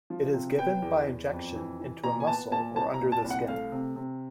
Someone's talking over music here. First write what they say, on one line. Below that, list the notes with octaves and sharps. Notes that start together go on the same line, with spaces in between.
It is given by injection into a muscle or under the skin.
F3
C3
B3 G5
E2
E2
F2
E3
E3
A#2 A#5
G#5
B3 A5
A#2 A5
C2 A5
A#5
A#2
A5
C2
F#5
A3 F5
C3
C3